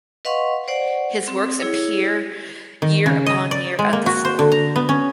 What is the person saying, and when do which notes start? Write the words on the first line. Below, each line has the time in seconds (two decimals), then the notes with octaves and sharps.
His works appear year upon year at the Salon.
0.25 B4 D#5 F5 F#5 C6 C#6
0.68 C5 D5 F#5
1.28 C4
1.60 E4 G#4 C#5
2.82 D#3
3.06 C#3
3.26 D#5
3.51 D5
3.79 G#3
3.93 A#3
4.06 F#4
4.25 C5
4.39 D3
4.52 A#5
4.76 B3
4.89 C#4